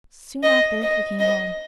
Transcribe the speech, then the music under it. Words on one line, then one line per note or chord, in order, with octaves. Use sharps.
Soon after we came home.
D#5
D#5
D#5